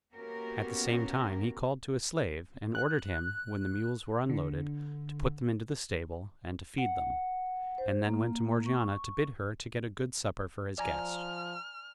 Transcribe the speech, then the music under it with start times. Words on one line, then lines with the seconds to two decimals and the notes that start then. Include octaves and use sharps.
At the same time he called to a slave, and ordered him, when the mules were unloaded, to put them into the stable, and to feed them; and then went to Morgiana to bid her to get a good supper for his guest.
0.14 A#3 B3 C#4 F#4 G4 A#4
2.75 F#6
4.30 D3
6.78 F#5
7.78 C5
8.06 A#3
8.66 C#6
10.78 F3 D5 G#5 A#5 F6